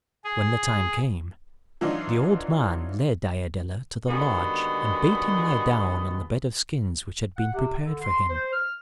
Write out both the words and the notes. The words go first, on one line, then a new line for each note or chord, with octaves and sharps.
When the time came, the old man led Iadilla to the lodge and bade him lie down on the bed of skins which had been prepared for him.
G#4
E3 F#3 D4 D#4 F4 F#4
D#2 D3 G#3 B3 F#4
F#5
C3
D3
C6
C5
F6